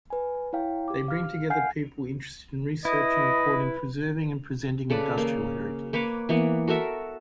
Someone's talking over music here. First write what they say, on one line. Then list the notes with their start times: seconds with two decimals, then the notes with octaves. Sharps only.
They bring together people interested in researching, recording, preserving and presenting industrial heritage.
0.10 B4 G#5
0.53 E4 C#5 F5 G5
0.88 G4 D6
1.08 F5 F6
1.50 F5 F#5 G#5 F6 G6 C7
2.85 E4 B4 D#5
4.90 C#3 A4 B4 D5
5.17 A#3
5.93 A#3 B4 C#5 D6
6.29 E3 A#3 B3
6.68 F#4 A4 A#4 E5